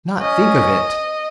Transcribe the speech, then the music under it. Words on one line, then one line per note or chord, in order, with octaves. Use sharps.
Not think of it!
C#4 D#5